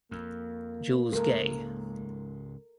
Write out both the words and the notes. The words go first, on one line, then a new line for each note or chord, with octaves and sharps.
Jules Gay.
F2 A#3
C#2 G#2 A4 A#4